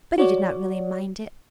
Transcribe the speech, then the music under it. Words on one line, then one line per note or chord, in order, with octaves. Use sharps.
But he did not really mind it.
F#4 C#5 D5